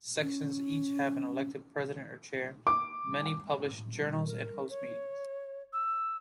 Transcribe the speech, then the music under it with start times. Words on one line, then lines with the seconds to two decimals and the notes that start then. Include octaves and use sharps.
Sections each have an elected president or chair; many publish journals and host meetings.
0.21 C#4
2.67 D6
4.26 A#4
4.69 C#5
5.72 E6